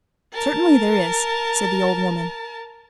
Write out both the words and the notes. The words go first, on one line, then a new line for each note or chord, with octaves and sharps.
"Certainly there is," said the old woman.
A#4 A5